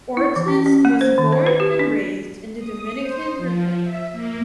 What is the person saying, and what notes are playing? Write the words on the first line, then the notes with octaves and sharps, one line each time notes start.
Ortiz was born and raised in the Dominican Republic.
E4
E3
C#4
C#4
A#3
C5
D#3
C5
B4
G4
D4
D#6
C5
F3
E5
A#3